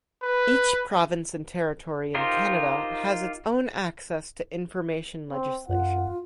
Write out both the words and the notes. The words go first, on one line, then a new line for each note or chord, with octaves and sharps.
Each province and territory in Canada has its own access to information legislation.
B4
D#4 F4 G4 A#4 C5
C4
F#2 F4 F#5